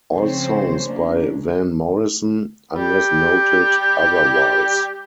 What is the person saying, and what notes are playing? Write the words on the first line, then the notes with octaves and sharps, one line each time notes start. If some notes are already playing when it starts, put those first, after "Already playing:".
All songs by Van Morrison, unless noted otherwise.
C#3 F3 C4 C5 C#5
A#3 C#4 D4
G3 G4